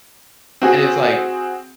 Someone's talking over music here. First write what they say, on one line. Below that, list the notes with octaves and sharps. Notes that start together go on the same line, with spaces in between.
And it's like,
C4 F#4 G#4